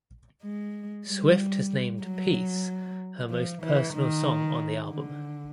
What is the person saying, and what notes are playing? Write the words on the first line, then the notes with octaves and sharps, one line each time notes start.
Swift has named "Peace" her most personal song on the album.
G#3
G3
F#3
F3
E3
D#3
D3